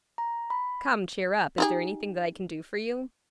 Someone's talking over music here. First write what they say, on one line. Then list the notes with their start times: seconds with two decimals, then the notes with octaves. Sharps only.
"Come, cheer up; is there anything that I can do for you?"
0.18 A#5
0.50 B5
1.58 D#4 G4 G#4